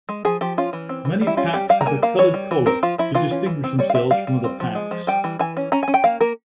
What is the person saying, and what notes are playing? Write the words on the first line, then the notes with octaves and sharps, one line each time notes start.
Many packs have a coloured collar to distinguish themselves from other packs.
G#3
F3 G#4
F3 G4
C#4 F4
E3
C4
E3
G3
E4
C#4 F4
G3 G4
G3 F5
A#5
A#3 G#5
A#3 F5
E3 C#5
G3
E3
C4 A#4
F3 F4
F3 E4
E3 F4
C#4
E3
C4
G3 C#5
F5
C4 E5
G3 F5
G3
C4
F3
G#3
F3
G3 G5
E3
E3 G#5
C#4
C#4 A#5
C#4 G#5
G5
A#3 F5
A#3 A#4